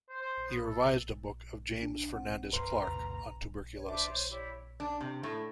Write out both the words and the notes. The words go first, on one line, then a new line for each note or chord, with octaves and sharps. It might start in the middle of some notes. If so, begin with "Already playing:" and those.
He revised a book of James Fernandez Clarke on tuberculosis.
C5
C5
B3
A4
D4
C4 F#5
F#2 B4 A#5 C6
E2 A2 C3
C#5
D4 C5 E5 D6
C5 C#5
E4 G4 C#5 D5
D4
C3
A2